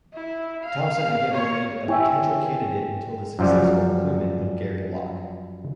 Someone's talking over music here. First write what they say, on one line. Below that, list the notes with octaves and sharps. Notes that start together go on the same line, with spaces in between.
Thompson again remained a potential candidate until the successful appointment of Gary Locke.
E4
F5
C#5
E4 G4 C#5 E5 G5 G#5
F#2 F3 G3